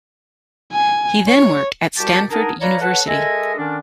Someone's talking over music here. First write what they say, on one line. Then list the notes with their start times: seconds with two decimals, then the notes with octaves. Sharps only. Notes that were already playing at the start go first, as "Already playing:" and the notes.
He then worked at Stanford University.
0.73 G#5
1.27 C#5
1.97 C2 G3 F#4 G4 A5
2.30 B3 D4 D#4 G#4 A#4
2.60 B4 C#5 D5 F5 A#5 B5
2.81 A4 B4 C#5 F#5
3.07 G#3 A4 A#4 D#5 E5 G#5
3.57 D3 D#3 C#4 D4